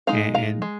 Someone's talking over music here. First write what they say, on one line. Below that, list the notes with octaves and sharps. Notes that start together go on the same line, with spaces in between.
And and
G#3 D#4 F5 A#5
F5 A#5
G#3